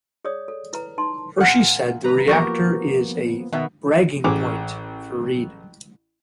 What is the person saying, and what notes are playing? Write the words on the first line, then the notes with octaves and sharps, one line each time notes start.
Hershey said the reactor is a "bragging point" for Reed.
G#4 C#5 D5 D#6
A4
E4 B4 A#5
D#4 A5 C6
A#2 F#5
B4 A#5
F3 A#3 B3 F#4 G4 A#4
B2 D#3 B3 E5
A1 G#4 D6